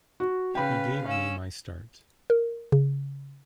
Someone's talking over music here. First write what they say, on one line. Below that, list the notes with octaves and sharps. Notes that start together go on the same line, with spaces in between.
He gave me my start.
F#4
C#3 B4 F5 G5 B5
C#4 F5 E6
A#4
C#3